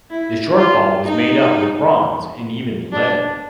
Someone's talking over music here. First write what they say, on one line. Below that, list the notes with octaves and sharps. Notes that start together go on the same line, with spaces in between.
The shortfall was made up with bronze and even lead.
E4
F4
D#4
D4